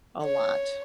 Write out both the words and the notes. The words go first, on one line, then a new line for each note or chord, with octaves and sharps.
a lot.
C#5